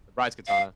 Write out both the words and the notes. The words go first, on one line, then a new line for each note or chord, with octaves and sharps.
The bride's katana.
F5